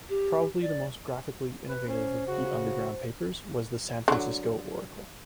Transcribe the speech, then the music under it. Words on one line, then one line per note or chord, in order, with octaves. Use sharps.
Probably the most graphically innovative of the underground papers was the "San Francisco Oracle".
G4
D5
B4
C#4 C5
C#3 F#4
D3 F#3